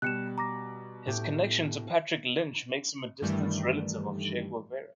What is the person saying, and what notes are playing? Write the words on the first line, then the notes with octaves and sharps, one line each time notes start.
His connection to Patrick Lynch makes him a distant relative of Che Guevara.
B2 G3 F#6 C#7 E7
A#5 D6 A#6
A2 G4
G2 D#3 E3 G3 A3